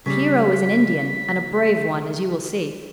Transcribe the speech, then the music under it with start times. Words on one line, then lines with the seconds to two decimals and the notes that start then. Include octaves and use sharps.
The hero is an Indian, and a brave one, as you will see.
0.06 C#3 G3 B6